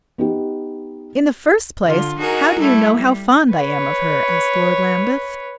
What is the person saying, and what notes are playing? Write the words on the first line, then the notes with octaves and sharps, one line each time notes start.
"In the first place, how do you know how fond I am of her?" asked Lord Lambeth.
B3 D#4 G4
D3 F4
D#4 F#4 G#4 A#4
G3 A3 E4 A4
G3
B4 C#5